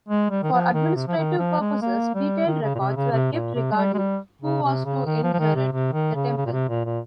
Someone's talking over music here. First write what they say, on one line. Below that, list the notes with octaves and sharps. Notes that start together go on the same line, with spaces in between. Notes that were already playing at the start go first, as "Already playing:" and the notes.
For administrative purposes, detailed records were kept regarding who was to inherit the temple.
G#3
G3
D#3
F3
D#3
C3
F3
D#3
F3
G#3
A#3
G3
D#3
C#3
A#2
C3
C#3
C3
A#2
C3
G#3
G3
G#3
G3
C#3
C3
C#3
D#3
F3
F3
D#3
C3
C3
D#3
C#3
C#3
A#2
C3
A#2
A#2